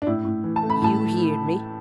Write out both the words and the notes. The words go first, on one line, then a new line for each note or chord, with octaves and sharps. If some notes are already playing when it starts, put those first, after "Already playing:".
"You heerd me!"
D4
A2 E4
A2
E3
A5
A3
B5
A2 A5